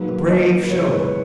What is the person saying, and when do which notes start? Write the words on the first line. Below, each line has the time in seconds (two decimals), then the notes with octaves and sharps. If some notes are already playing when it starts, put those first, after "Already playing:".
A brave show.
Already playing: G#2 F#3 A#3 B4
0.29 D#5
0.64 B4
0.71 E2 C#3 G#3 C#5
0.92 B4